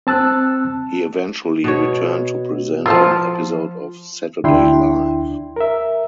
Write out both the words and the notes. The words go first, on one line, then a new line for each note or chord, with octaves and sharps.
He eventually returned to present an episode of "Saturday Live".
C4 A5 E6 F#6
B2 C#5
F3 F4 A4 C5 A5
D2 D4 E4 G5 C6
A#4 E5